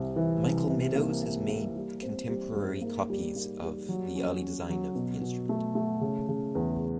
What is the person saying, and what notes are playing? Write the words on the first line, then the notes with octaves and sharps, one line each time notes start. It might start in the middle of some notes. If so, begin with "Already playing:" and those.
Michael Meadows has made contemporary copies of the early design of the instrument.
Already playing: C2 C3
E3
C2
C3
A#3
A#3
A#3
G3
C4
G3
G#2
A#3
G3
A#3
G3
F#3
C#4
C#4
F#3
B2
B2
A3
A3
C#3
C#3
E2